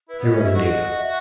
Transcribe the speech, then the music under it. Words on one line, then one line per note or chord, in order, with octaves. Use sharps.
Here are the data.
E4 B4
B3 D#5
C#4
E4 E5
F#4 D#5
E5